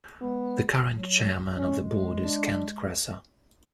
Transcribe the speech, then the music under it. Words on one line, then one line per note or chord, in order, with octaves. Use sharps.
The current Chairman of the Board is Kent Kresa.
G#3 B3
F#3
G#3 C#4
D4